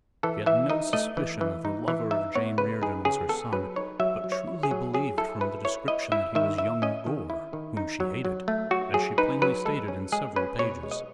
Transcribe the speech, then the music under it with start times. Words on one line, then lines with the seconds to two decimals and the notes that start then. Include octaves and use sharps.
She had no suspicion that the lover of Jane Riordan was her son, but truly believed from the description that he was young Gore whom she hated--as she plainly stated in several pages.
0.23 E3 A4
0.46 E3 E5
0.70 D#4 D#5
0.93 A3 D#5
1.17 E3
1.41 E3
1.65 D#4
1.88 E3
2.11 D#4 E5
2.35 B3 C#5
2.58 C#3 B4
2.82 D#4 G#4
3.05 C#3 G#4
3.29 B3 A4
3.53 F#3 B4
3.76 D#4 C#5
4.00 F#3 E5
4.24 F#3
4.32 C#5
4.47 E4
4.63 G#4
4.71 F#3
4.94 F#3 G#4
5.18 E4 A4
5.41 E4 B4
5.65 E4 C#5
5.88 E4 D#5
6.12 E4 E5
6.35 D#3 E5
6.58 E4 E5
6.82 C#4 D#5
7.06 D#3
7.30 E4
7.53 D#3
7.77 D#4
8.00 F#3
8.25 F#3
8.48 A3
8.71 F#3 F#4
8.94 F#3 G#4
9.18 D#4 B4
9.42 F#3 B4
9.65 G#3 A4
9.88 C#4
10.12 G#3 G#4
10.36 C#4 B4
10.59 B2 C#5
10.83 G#3
10.91 D#5